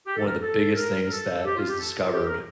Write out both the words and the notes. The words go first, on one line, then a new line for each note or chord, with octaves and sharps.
one of the biggest things that is discovered
G4
A4
A#4
A4
A#4
A4
A4
G4
F4
G4
A4
F4
G4
A#4